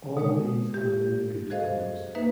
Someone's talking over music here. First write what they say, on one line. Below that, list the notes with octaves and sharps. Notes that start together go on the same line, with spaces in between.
All these have many good photos.
B2 G#3 C#5
G4
F#4 G#4 A4 C5 D#5 F5
A#3 D#4 B4 E5